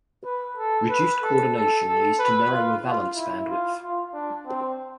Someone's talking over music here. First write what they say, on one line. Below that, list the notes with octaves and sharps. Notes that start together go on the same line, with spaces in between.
Reduced coordination leads to narrower valence bandwidth.
B4
A4
B4
A4
A4
A4
B4
F4
F4
E4
F4
F4
D4
C4